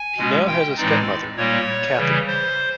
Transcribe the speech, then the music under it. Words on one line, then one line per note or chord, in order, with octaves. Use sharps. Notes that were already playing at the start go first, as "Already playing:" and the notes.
He now has a stepmother, Cathy.
Already playing: G#5
B2 G#3 C#4
G5
A2 E3 G#3 C4 D#4 D5
A#2 G3 A#3 C#5
C#3 E3 G3
C5